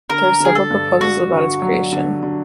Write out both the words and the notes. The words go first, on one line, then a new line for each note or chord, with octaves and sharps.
There are several proposals about its creation.
D3 A#4
D3 G#4
A4
G2
G2 F#4
D3
F#3
D3
D3